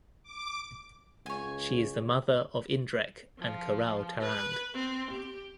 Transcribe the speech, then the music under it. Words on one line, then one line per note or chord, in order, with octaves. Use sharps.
She is the mother of Indrek and Kaarel Tarand.
D6
C#2 C#5 G#5
F3
B4
C4
G4